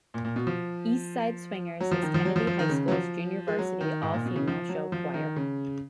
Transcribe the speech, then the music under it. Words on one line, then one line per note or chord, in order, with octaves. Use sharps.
East Side Swingers is Kennedy High School's Junior Varsity all-female show choir.
A#2
A#2
B2
F3
F#3
F3
D#3
F3
F#3
F3
F3
D#3
C#3
F#3
F3
G#3
F#3
D#3
G#2
A#2
B2
C#3
F3
F#3
F3
D#3
C#3